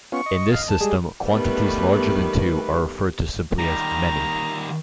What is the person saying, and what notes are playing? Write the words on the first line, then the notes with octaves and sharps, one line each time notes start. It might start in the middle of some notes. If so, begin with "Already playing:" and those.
In this system, quantities larger than two are referred to simply as "many".
B3 C#4 F4 C#6
D#5
F5
A5
G3 G#3 G#4
D#3 G3 A3 B3 B4
D#3 G3 A#5